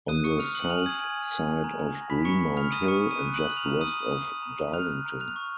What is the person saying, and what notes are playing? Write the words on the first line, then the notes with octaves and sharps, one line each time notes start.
On the south side of Greenmount Hill, and just west of Darlington.
D#6 F#6 D#7
C#6 D#6 C#7
D#6 F6 F7
D#6 F#6 F#7
G#5 F6 F7
D#6 G#6
G#5
G#5
G#5
F#6
A#5
A#5
A#5 A#6
A#5 B5 B6
A#5 C#6 C#7
A#5
D#6 F6 F7
A#5 D#6 D#7
A#5 C#6 C#7
A#5
D#6 D#7
F#6
D#6 F#6 F#7
F#6
F6 F7
A#5
A#5 D#6 D#7
D#6
D#6
D#6
A#5
A#5
F6 F#6 F7
F#6
A#5
F6 F#6 F7
C#6